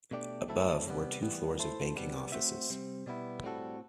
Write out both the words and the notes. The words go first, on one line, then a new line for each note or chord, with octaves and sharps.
Above were two floors of banking offices.
B2 A3 D4 G4 D5
F#3 A3 C4 E4 A4
C3 G3 B3
E3 G3 B3
A3 E4 A4 C5
C3 G3 B3
A3 C4 F#4 C5 E5
C3 G3 C4
B2 G3 B3 E4
A2 G3 C4 F#4 A4